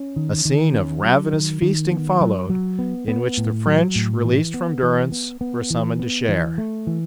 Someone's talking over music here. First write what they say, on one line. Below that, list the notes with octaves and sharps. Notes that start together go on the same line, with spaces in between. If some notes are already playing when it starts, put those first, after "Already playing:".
A scene of ravenous feasting followed, in which the French, released from durance, were summoned to share.
Already playing: C#4
D#3
D#3
C#4
F#3
D#3
D#3
B3
F#3
F#3
B3
B3
A2
F#3
A2
E3
B3
E3
B3
B3
E3
B3
E3
A3
E3